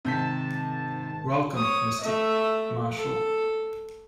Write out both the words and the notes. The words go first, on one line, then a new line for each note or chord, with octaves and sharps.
Welcome Mr. Marshall!
G#2 C3 D#3 A5 G6 B6
C#5 D#6
A3 E5
A4